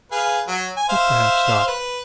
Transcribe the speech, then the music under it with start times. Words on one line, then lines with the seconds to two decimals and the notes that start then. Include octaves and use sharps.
But perhaps not.
0.12 G#4 B4 F5
0.47 F#3
0.77 G#5
0.89 C5 E5 F5
1.67 B4